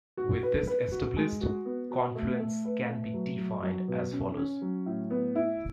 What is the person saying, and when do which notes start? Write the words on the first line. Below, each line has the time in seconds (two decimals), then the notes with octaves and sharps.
With this established, confluence can be defined as follows.
0.17 F#4
0.43 B4
0.67 B4
0.92 F#4
1.16 G#3
1.41 F#4
1.65 B3
1.91 F#4
2.15 A3
2.40 A3
2.65 B4
2.89 A3
3.14 F#3
3.38 F#3
3.63 F#3
3.88 B2
4.12 C#4
4.37 C#4
4.61 F#3
4.86 A2
5.10 B3
5.35 E4